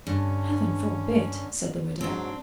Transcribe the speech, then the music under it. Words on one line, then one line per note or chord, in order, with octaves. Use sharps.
"Heaven forbid!" said the widow.
G2 D3 C#4
G#2 F#3 C4 D4